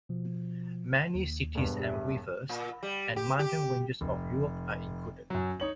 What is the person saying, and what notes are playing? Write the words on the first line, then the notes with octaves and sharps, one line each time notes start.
Many cities and rivers, and mountain ranges of Europe are included.
B2 F3
D#2
E1 G2 B4
G4 E5
A#2
G3
G4
G4
F1
F#2 F#3
D#4 C#5 F#7